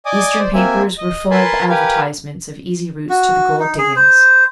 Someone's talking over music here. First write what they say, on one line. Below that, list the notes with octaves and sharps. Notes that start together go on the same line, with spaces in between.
Eastern papers were full of advertisements of easy routes to the gold-diggings.
D5 D#5 G#5 D6 D#6
C5 D5
A#3 C4 E5 G#5
D#5
A#4 B4 G#5 A5 B5 C6
G4 A#4 B4 F5 G#5
F#4
D#4
G#4
C5